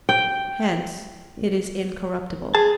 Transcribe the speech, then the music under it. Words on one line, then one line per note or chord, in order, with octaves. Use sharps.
Hence it is incorruptible.
G5
G#4 A5